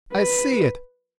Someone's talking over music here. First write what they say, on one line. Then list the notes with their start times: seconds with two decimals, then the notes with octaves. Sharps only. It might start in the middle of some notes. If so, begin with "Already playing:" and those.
I see it!
0.14 B4